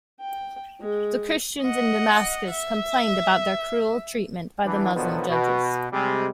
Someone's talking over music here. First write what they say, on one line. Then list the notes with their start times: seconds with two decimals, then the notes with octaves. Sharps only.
The Christians in Damascus complained about their cruel treatment by the Muslim judges.
0.20 G5
0.81 G#3
1.63 D#5 F#5
2.52 E5
4.64 E3 B3 D4
4.95 B2 D3 D#3 F3 F#3 B3
5.28 B2
5.92 C3 G3 G#3